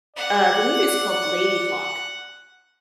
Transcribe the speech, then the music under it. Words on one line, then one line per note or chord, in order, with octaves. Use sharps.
uh, the movie's called Ladyhawke.
D5 F#5